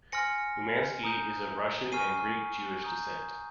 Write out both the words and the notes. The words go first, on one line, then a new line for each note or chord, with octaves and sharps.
Umansky is of Russian and Greek Jewish descent.
G#5 C6 F6 A#6 C#7
A#5 D#6 G6
G#5 C#6 F6 C7 D#7
A#5 D#6 G6